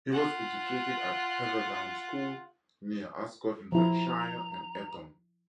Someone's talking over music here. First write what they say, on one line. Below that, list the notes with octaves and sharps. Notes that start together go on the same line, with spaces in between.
He was educated at Heatherdown School, near Ascot in Berkshire, and Eton.
F4 F#5
F3 E4 A#5